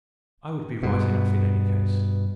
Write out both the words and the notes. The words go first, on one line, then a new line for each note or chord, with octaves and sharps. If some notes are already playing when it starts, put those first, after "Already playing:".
I would be right enough in any case . . .
G2 B2